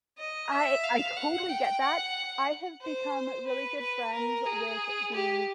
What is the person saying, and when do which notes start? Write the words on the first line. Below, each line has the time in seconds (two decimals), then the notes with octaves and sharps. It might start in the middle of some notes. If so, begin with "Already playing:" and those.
I I totally get that, I have become really good friends with the
0.18 D#5
0.52 E5
0.84 F5
1.16 F#5
1.50 G5
1.83 F#5
2.82 C5
3.47 B4
3.80 B4
4.13 A#4
4.46 G#4
5.12 G4